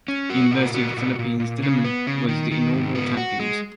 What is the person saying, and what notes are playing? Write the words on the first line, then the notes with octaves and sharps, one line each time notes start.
University of the Philippines Diliman was the inaugural champions.
C#4
F#4
A#2
F#4
A#2
A#2
A#2
C#3
B3
C#3
D#3
D#3
G#2
B3
F#4
G#3